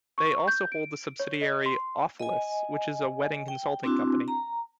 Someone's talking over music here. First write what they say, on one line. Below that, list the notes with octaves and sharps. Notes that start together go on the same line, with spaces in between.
They also hold a subsidiary "Ofelis", which is a wedding consulting company.
C#6
G6
D7
C#5
D#5
C6
D#5 G#5
G5
C4 D4 E4 F#4
A#5